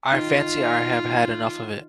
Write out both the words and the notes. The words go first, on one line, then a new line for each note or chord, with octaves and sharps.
I fancy I have had enough of it.
D#3 F4 G5